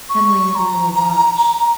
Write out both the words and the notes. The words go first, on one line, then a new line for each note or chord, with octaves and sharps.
Henri and I will watch.
C#6
A#5